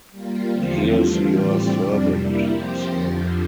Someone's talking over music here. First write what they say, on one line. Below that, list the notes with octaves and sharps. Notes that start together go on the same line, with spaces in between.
Here’s your servant, Sir.
G3 A#3 F4
E2 D3 F3 A3 C4
E3 G3 D4 F4
A2 G3 C4 G4 D5
F2 C3 G3 D4
G3 A#3 E4
F3 C4 G4 C5
F2 D3 F3